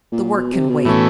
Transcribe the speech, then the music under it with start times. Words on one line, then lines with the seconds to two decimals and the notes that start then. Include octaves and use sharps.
The work can wait.
0.12 A#2
0.37 B2
0.52 C3
0.69 B2
0.85 A2 E3 A3 C#4